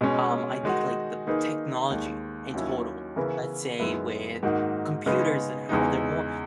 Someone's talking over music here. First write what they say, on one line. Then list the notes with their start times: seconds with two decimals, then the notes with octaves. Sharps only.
Um, I think like the technology in total, let's say with computers and how they're more
0.01 B2 G#3 C#4
0.63 D#3 G#3 D#4 F#4
1.26 D#3 A#3 D#4 G#4 B4
1.90 D#2 D#3 G#3
2.53 D#2 D#3 F#3 C#4 E4
3.16 C#3 E3 B3 E4 A#4
3.79 F#2 D#3 G#3 B3 E4
4.43 G#2 D#3 A#3 D#4 F#4
5.06 C#3 G#3 B3 D#4
5.69 E2 C#3 E3 G#3 D#4